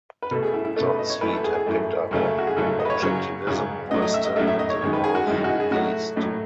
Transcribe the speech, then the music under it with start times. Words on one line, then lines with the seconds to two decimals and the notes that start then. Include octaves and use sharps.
John Seed had picked up on Objectivism while still in the North-East.
0.22 B4
0.31 B2 A3 A4
0.43 G#4
0.54 E4
0.65 E4
0.76 B2 A3 A4
0.87 B4
0.99 D#5
1.10 C#5
1.21 F#2 E3 A3 B4
1.33 A4
1.44 G#4
1.55 G#4
1.66 F#2 E3 A3
2.11 F#2 C#3 F#3 A3
2.39 F#4
2.47 G#4
2.57 F#2 C#3 F#3 A3 A4
2.80 D#5
2.85 B4
2.90 C#5
3.01 F#2 C#3 F#3 C#5
3.47 F#2 C#3 F#3
3.91 A2 F#3 A3 D#5
4.02 D#5
4.14 E5
4.25 D#5
4.36 A2 F#3 A3 E5
4.48 E5
4.59 D#5
4.70 C#5
4.81 F#2 D#3 G#3 C#5
4.93 B4
5.04 G#4
5.15 F#4
5.27 F#2 D#3 G#3 E4
5.37 D#4
5.44 F#4
5.49 E4
5.60 G#4
5.71 A2 F#3 A3 F#4
6.16 A2 F#3 A3